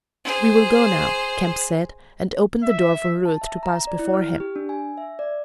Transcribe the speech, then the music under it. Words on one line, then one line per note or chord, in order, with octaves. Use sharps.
"We will go now," Kemp said, and opened the door for Ruth to pass before him.
G#4 C5
E5
A5
E5
A#5
D5
E4
F6
G4
D4
G#5
E5
D5